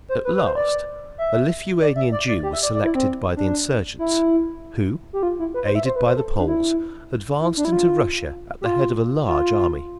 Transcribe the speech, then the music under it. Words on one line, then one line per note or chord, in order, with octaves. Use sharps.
At last a Lithuanian Jew was selected by the insurgents, who, aided by the Poles, advanced into Russia at the head of a large army.
C5
B4
B4
C5
D5
E5
D5
E5
D5
D5
G4
E5
D5
D5
E4
C4
D4
E4
G4
F4
E4
B4
C5
E5
C5
B4
C5
A4
D4
E4
E4
D4
E4
F4
G4
F4
F4